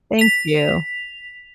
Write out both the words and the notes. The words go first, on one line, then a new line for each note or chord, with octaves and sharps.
Thank you.
B6 F7